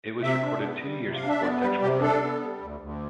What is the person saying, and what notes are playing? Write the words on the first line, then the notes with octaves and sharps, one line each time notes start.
It was recorded two years before its actual release.
C3 E5
D4
B3
G3
C3
F5
D4
E5
B3 D5
G3 B4
C3 G4
D4 A4
B3
G3
D2
D2